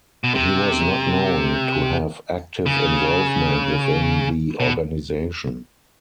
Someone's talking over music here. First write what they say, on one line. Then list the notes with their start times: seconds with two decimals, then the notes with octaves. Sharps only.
He was not known to have active involvement within the organization.
0.24 B2
0.35 C3
2.66 C#3
4.60 B2